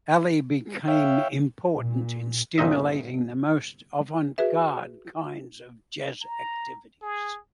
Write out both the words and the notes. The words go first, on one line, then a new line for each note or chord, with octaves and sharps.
Ali "became important in stimulating the most avant-garde kinds of jazz activities".
C#5 E5 F5 G5
A#2
G1 C2 A#2 D#4 D#5 E5
F#4 G#4 B4 E5
A#5
G#4